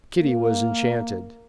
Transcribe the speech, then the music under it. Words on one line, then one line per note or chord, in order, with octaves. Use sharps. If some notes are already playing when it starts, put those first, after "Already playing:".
Kitty was enchanted.
A#3